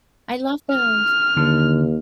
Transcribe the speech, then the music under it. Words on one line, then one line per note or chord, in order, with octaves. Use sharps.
I love those.
F6
D#2 D3